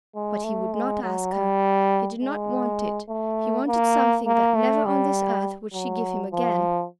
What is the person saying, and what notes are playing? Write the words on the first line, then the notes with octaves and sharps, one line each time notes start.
But he would not ask her; he did not want it; he wanted something that never on this earth would she give him again.
G#3
A3
G#3
F#3
G3
G#3
A3
A#3
A#3
A3
G3
F#3
F3